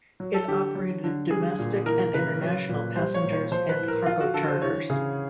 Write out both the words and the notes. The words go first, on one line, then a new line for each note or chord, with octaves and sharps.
It operated domestic and international passenger and cargo charters.
F#3
A4
D3 G4
F#3
D3
G3 G#4
A#2
E3 A#4
C#3 B4
F#3
A#2
G3 C5
C#5
A#2
C#5
F3 C5
B4
A2
A#4
F3 F4
F#4
D3 A4
C5
E3 C#5
C#3 G#4